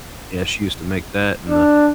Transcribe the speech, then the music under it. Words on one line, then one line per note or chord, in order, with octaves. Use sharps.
Yeah, she used to make that, and the,
D4